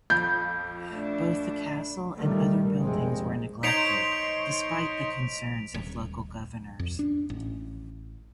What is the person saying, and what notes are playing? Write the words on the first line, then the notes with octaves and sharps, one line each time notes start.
Both the castle and other buildings were neglected despite the concerns of local governors.
F2 F3 G6
A3 D4
A#2 D#3 G3 A3
F1 A#1 C3 G#3 C4
D#4 C5 C#5 B6 D7 F7
D#1
F2
D4
A1